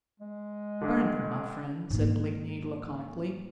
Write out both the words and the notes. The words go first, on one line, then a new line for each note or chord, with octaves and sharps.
"Burn them, my friend," said Blakeney laconically.
G#3
G2 D3
G#2 A#3